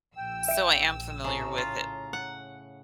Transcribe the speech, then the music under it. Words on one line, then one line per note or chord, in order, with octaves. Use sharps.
So I am familiar with it
A#1 G5 E6
E5 D7
A2 C#3 A#5
F4
F#5